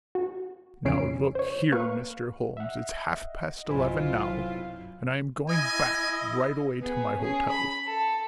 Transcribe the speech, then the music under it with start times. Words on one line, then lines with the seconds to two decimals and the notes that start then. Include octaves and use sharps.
Now, look here, Mr. Holmes, it's half-past eleven now and I am going back right away to my hotel.
0.15 F#4
0.85 F2 C#3 C#4 C#5 C7 D7
1.35 C5 C#5
1.72 A#3 B4 F5 C#6
2.57 D#5 E5 F#5
3.69 B1 F#2 C3 E4 F4 C5 G#5 B5
5.49 E4 D#5 G#5
6.81 B3 G#4
7.17 C#4 G#4
7.49 B5
7.87 A4